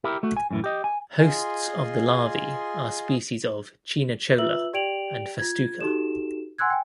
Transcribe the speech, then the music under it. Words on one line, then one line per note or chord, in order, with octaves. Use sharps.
Hosts of the larvae are species of "Chionochloa" and "Festuca".
E4 G4 A#4
A3 F#4
G#5
F#2 A2 E3
G4 D#5
G#5
F4 G#4 D#5 G#5 C6
F4 B4 E5 E6 F#7
G4 D5 G5 D7 F7 F#7
F4 G#6
D#4 F#4 G4 A4 E7
F#5 G#5 C6 E6 F#6 G#6
G5 G#5